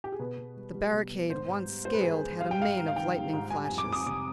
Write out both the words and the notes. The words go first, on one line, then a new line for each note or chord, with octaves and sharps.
The barricade once scaled had a mane of lightning flashes.
G4
G#4
B2 B4
B2
G3
G3
B2
B2
G#2 C5
G#2
G3
G3 C5
B4
G#4
G#2 B4
G#2
G3 F5
G5
G#2 F5
G#2
F5
D#3 G5
G3
G#2
G3 G#5
G#5
F2
D6
F2 D#6
C3 D6